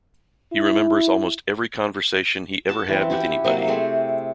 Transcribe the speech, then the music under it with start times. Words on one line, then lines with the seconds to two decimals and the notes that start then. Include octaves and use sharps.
He remembers almost every conversation he ever had with anybody.
0.52 E4
2.69 F#4 A5
2.88 E3 C4
3.10 C#4 E4 F#4 G4
3.45 C3 F#3 A#3
3.68 A3 C4 G#4